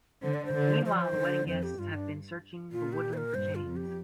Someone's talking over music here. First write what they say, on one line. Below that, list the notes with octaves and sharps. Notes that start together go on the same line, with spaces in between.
Meanwhile, the wedding guests have been searching the woodland for James.
D3 C5
D5
C5
D3
F3 C5
D5
C5
D3
F2 C5
G4
G2 F4
D4
A#2 F4
G4
C5
A#4
G2 C5
F4
F2
G4